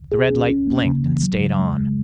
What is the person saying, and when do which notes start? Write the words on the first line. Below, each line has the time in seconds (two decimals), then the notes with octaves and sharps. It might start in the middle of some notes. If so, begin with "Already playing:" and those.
The red light blinked and stayed on.
0.12 G#4
0.30 C#4
0.49 C#4
0.67 A#3
0.86 C#3
1.04 E3
1.23 F#3
1.41 C#3
1.60 G#3
1.78 G#3